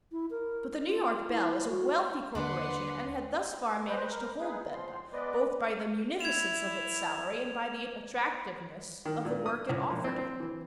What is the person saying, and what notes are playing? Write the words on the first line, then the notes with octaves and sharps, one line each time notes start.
But the New York Bell is a wealthy corporation and had thus far managed to hold Benda, both by the munificence of its salary and by the attractiveness of the work it offered him.
E4
A#4
F4
E4
F#4
D#2 D3 A#3 D4 B4 F#5 C6
B4 C5 D#5
A#4
B3 D#4 G#4 B4
F3 C6
G#3 B3 B4 D5 D#5
E4 G#6 E7 F7
D#3
A#2
D#6
C#2
A#1
C4
C4
E3